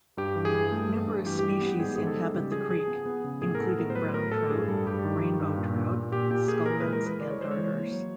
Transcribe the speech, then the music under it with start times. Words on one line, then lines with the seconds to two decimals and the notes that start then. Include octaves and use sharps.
Numerous species inhabit the Creek including brown trout, rainbow trout, scuplins and darters.
0.17 G2 G4
0.36 E3
0.45 G#4
0.54 G2
0.71 A3
0.89 G2
1.07 G2
1.26 E3 G4
1.39 G4
1.43 G3
1.52 G4
1.61 B3
1.67 G4
1.80 G#2 G#4
1.96 G#2 G#4
2.07 A4
2.16 G3
2.35 C#3 G4
2.52 F3 G#4
2.71 F3 G#4
2.88 B3
3.05 B3
3.24 C#3
3.41 A2 G#4
3.55 A#4
3.60 B3 A4
3.78 A2 A#4
3.90 C5
3.95 F#3 B4
4.14 A2 A#4
4.32 A2 A4
4.50 G2 G#4
4.68 G3 A4
4.87 G2 G4
5.04 D#3
5.22 G2
5.40 G2
5.58 A#2
5.76 A#2
5.94 A#2
6.12 A#2 G4
6.31 A#2 G4
6.48 A#2 G#4
6.66 E3 A#4
6.80 B4
6.85 G#3
6.93 A#4
7.02 E3 B4
7.20 G#3 D5
7.30 C#5
7.38 G#3 C5
7.51 C#5
7.57 E3
7.74 A#3
7.92 F#3